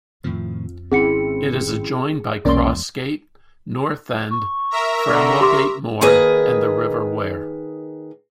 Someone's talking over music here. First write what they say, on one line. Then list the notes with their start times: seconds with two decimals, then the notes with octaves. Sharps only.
It is adjoined by Crossgate, North End, Framwellgate Moor and the River Wear.
0.24 F2 A2 D#3 F3
0.92 G#1 C4 C#4 E4 G#4 F#5 C#7
2.45 B1 E2 G#3 A#3 C#4 D5 C6
4.31 C#6
4.71 A#4 E5 A#5
5.08 D3
5.41 G4 C6 D6
6.01 D#3 A#3 G#4 B4 D#5